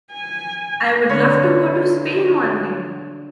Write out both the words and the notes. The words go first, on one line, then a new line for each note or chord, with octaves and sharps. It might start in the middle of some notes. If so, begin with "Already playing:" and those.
I would love to go to Spain one day.
G#5
D3 B4 C#5 F6